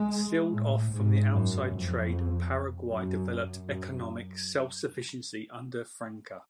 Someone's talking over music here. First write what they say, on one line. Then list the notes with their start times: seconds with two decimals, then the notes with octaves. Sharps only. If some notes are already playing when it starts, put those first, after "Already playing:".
Sealed off from outside trade, Paraguay developed economic self-sufficiency under Francia.
Already playing: G#3
0.53 A2
0.92 G#2
1.32 F#2
1.72 F2
2.90 F#2
3.68 F#2